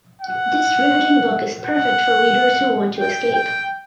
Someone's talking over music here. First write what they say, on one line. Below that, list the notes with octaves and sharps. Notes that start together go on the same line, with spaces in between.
This riveting book is perfect for readers who want to escape.
F#5
F#5
G5
G5